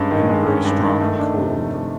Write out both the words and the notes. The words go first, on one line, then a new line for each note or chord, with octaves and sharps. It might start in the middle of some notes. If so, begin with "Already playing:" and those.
Wind very strong and cold.
Already playing: G2 G#3 C#4
D#3
G#3
C#4
G2
D#3
A3
D4
C3
F3
A3